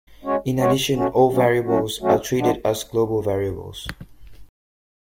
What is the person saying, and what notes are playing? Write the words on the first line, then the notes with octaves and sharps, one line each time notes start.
In addition, all variables are treated as global variables.
G#3 C#4 F#4 C#5
G#3 C#4 F#4 C#5
B2 F#3 A3 C#4 F#4
B2 F#3 A3 C#4 F#4
B2 F#3 A3 C#4 F#4
B2 F#3 A3 C#4 F#4
F3 G#3 B3 D4